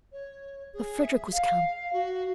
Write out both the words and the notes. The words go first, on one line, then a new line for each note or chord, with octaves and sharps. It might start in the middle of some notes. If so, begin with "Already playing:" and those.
But Frederick was come!
C#5
G#4
E5
F5
F#4